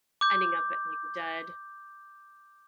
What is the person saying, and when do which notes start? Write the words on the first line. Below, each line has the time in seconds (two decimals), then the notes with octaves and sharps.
ending up at, like, a dud.
0.21 D6 G6